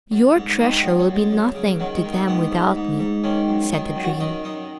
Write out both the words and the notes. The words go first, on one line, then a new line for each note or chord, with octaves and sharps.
"Your treasure will be nothing to them without me," said the dream.
F#2
G#2
D#3
F#2 B3
C#4
F#2
G#3
F#2
C#3
D#3 F#3
G#3
D#3
B3
G#2 B3
G#2
G#2
G#2
D#3 C#4
F#2
D#3 D#4
F#2
F#4
D#3 D#4
F#2 D#4